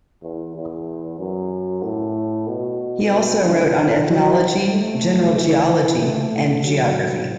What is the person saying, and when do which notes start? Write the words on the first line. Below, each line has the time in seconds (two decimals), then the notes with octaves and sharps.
He also wrote on ethnology, general geology, and geography.
0.23 E2
0.55 E2
1.19 F#2
1.83 A2
2.47 B2
3.11 B2
3.44 D3
4.08 F#3
4.72 A3
5.37 E3
6.00 A3
6.65 F#3